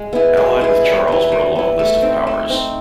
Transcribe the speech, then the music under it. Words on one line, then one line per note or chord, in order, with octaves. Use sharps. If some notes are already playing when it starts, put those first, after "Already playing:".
Allied with Charles were a long list of powers.
Already playing: G#3
B3 E4 G#4
G#3
B3 E4 G#4
G3
B3 E4
G3
B3 E4
A3
C4 D#4
A3
C4 D#4